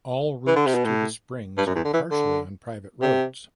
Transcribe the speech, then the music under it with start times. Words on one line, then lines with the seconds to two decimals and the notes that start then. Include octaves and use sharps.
All routes to the springs are partially on private roads.
0.47 E3
0.56 D3
0.66 C3
0.74 B2
0.84 A2
1.57 G2
1.66 F#2
1.75 E2
1.84 D3
1.93 E3
2.11 D3
3.02 C3